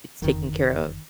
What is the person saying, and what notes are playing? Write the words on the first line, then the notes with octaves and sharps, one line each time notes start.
it's taken care of."
F#1 F2 D3 D#3